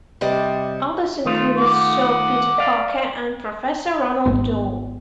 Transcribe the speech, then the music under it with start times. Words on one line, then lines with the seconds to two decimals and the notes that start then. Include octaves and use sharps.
Others included Sir Peter Parker and Professor Ronald Dore.
0.21 C3 G3 D5 D#5
1.25 D#3 A3 F4
1.58 F#5 D6
2.58 D5 F5
4.26 G#1 E2 G#2 B3